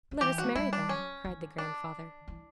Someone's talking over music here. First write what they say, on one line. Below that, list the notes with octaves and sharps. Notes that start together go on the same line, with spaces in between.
"Let us marry, then," cried the grandfather.
D3
E3 G4
F#4
A3
G3 E4
D4
F#3 C#4
E3
D3
D4
E3